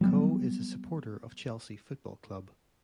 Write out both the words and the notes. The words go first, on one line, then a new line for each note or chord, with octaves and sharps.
Coe is a supporter of Chelsea Football Club.
F#3 G3 B3